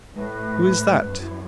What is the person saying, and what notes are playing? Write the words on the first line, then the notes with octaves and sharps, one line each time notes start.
Who is that?
A2 B4
F#2 B4
E4